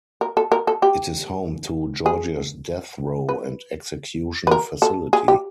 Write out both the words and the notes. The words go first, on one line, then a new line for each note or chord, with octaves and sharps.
It is home to Georgia's death row and execution facility.
A#4
A4
A#4
A4
G4
G#4
B4
B4
A#4
A4
G#4
G4